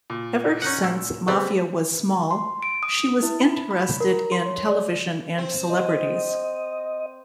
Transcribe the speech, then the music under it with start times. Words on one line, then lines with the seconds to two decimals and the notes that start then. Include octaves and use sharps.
Ever since Maffia was small, she was interested in television, and celebrities.
0.10 A#2
0.62 C#4 D#4 F#5
0.84 A#2 E6
1.28 C#3 B3 C4 G4 D5
2.31 C6
2.63 D7
2.83 D#6
3.23 E4
3.41 B5
3.71 B5
4.00 A#4
4.32 C6
4.46 C#5
4.68 D5
5.38 C4
5.70 D#5